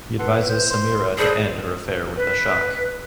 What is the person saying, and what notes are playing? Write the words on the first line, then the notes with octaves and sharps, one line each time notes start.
He advises Sameera to end her affair with Ashok.
A4 B4 F#5 C6
C5
C6
G#4 A4 B4 C5 D5
B4